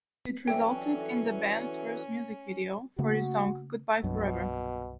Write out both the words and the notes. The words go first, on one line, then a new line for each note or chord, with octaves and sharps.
It resulted in the band's first music video, for the song "Goodbye Forever".
E3 F#3 C#4 A4 D5 E5 G5
C#3 A3 A#3 F#4
C2 G2 B2 F#3